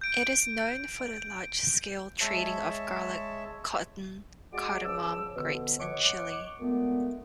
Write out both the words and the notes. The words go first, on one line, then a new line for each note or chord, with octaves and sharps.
It is known for the large-scale trading of garlic, cotton, cardamom, grapes and chilli.
G6 D7
G#3 C#5 E5 A5
G#3 F#4 D5 D6
C#2 C#3 F3 E6
B2 D3 F3
C#5 D#5 F#5 C#6 D6
A#2 D3 G#3 A3 B3